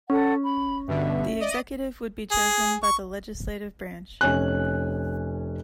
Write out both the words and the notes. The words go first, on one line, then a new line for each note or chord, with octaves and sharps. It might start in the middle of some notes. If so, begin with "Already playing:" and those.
The executive would be chosen by the legislative branch.
C#4 A4 F#5
B5
G2 B2 D3 E5
D5 D#5 D#7
G#4
C#6
F1 C#4 G#5 F#6